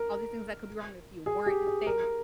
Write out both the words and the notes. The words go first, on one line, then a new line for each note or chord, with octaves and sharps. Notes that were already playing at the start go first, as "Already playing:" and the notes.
All these things that could be wrong with you weren't a thing.
Already playing: A#4
G#4
G4
G#4
A#4